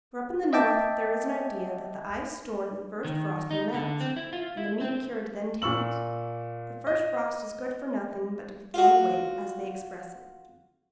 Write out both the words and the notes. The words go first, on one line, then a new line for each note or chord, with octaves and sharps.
For up in the north there is an idea that the ice stored in the first frost will melt, and the meat cured then taint; the first frost is good for nothing but to be thrown away, as they express it.
D#5 E5 G5 A5 D6
D#3
D#4
D3
C4
E4
F4
E4
C4
A#2 C#6 E6 F#7
D#5
F4 F#4